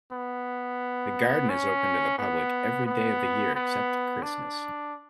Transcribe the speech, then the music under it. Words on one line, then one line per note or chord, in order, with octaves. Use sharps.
The garden is open to the public every day of the year except Christmas.
B3
C#4
B3
B3
B3
D4